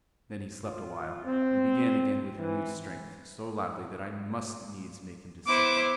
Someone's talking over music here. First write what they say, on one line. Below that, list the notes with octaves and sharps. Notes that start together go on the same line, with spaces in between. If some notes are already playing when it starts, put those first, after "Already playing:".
Then he slept awhile, and began again with renewed strength, so loudly that I must needs make him desist.
F4
C4
E3
B3 E4 C5 D6